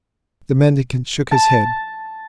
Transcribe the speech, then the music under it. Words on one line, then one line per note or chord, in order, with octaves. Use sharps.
The mendicant shook his head.
A5